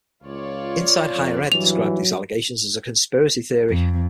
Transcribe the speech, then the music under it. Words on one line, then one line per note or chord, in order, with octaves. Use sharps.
"Inside Higher Ed" described these allegations as a conspiracy theory.
C#2 F4 C#5 D5
F2
G2 E3 F#3 F7
F2